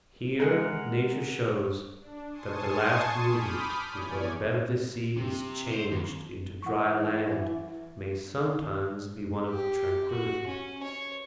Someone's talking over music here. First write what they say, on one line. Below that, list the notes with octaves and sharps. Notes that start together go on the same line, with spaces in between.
Here nature shows that the last movement before the bed of the sea is changed into dry land may sometimes be one of tranquillity.
G#3 G#4 A#4 F#5
D4
G#5 A5 C6 C#6 D#6
B5 D6 D#6 F6 G6
E2 C#5 D5 G#5
C3
C5
D#2
E3 F#5 C#6
G4
F#4
C#4
C#5